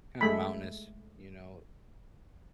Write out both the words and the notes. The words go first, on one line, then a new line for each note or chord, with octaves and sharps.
kinda mountainous, you know.
G#3 A3 B5